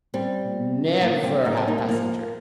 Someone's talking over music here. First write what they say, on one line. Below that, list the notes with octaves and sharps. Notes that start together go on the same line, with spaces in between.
Never have passengers.
G3 C4
A#3 D#4
G3 C4
A#3 D#4
G3 C4
A#3 D#4
G3 C4
F3 A#3